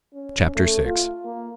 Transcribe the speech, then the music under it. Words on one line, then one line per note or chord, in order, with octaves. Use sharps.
Chapter VI.
C#4
A3
F4
A#3